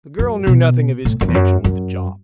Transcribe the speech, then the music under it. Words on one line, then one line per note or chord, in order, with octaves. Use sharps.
The girl knew nothing of his connection with the job.
F#2
B2
A2
F#2
E2
F#2
F#2